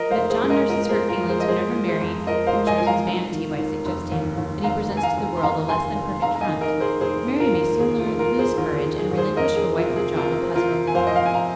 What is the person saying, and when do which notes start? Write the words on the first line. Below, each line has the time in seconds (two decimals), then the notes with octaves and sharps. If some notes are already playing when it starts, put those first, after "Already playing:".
But if John nurses hurt feelings whenever Mary punctures his vanity by suggesting that he presents to the world a less than perfect front, Mary may soon lose courage and relinquish her wifely job of husband improvement.
Already playing: F3 A#4 D#5
0.11 C5 F5
0.17 F1
0.30 G#4 C5
0.44 G#3
0.50 A#4 D#5
0.70 F3 A#4 D#5
0.83 A#4
0.89 G#4 C5
0.96 G#3
1.09 F4 A#4
1.23 F2
1.29 G#4 C5
1.40 D#5
1.48 G#3 G#4 C5
1.75 F3
1.88 G#4 C5
2.01 F2
2.27 F3 A#4 D#5
2.47 C5 F5
2.53 G#3
2.67 D#5 G#5
2.78 F3 G#5
2.86 F5 A#5
3.07 F1
3.32 D#3
3.58 D#2
3.85 F1
4.12 D#2
4.38 D#2
4.64 F1 F5 A#5
4.90 F1
4.97 G#5
5.03 F5 A#5
5.17 F1
5.37 C6
5.43 D#2 F5 A#5
5.69 F1 G#5 C6
5.95 F1
6.22 F1 F5 A#5
6.35 A#5
6.41 D#5 G#5
6.48 D#3
6.61 A#4 D#5
6.74 D#3
6.80 G#4 C5
7.00 F1 G#4 C5
7.26 F1
7.40 F4 A#4
7.53 D#2
7.79 D#2 G#4
7.99 F4
8.06 F1
8.19 F4 A#4
8.33 D#3
8.39 G#4 C5
8.58 D#2 F4 A#4
8.77 G#4
8.84 D#3
8.98 G#4
9.11 D#2
9.17 G#4 C5
9.37 F2 A#4 D#5
9.56 G#4
9.63 C4
9.77 F4
9.89 C3
9.96 G#4
10.16 C3 F4 A#4
10.42 C4
10.55 F4 A#4
10.69 C3
10.87 G#5
10.94 F2 C5 F5
11.07 D#5
11.16 F5
11.21 F2 G#5
11.34 F5 A#5